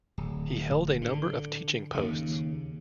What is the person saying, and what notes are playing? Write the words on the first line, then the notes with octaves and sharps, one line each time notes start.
He held a number of teaching posts.
D1
D3
D#2 C#3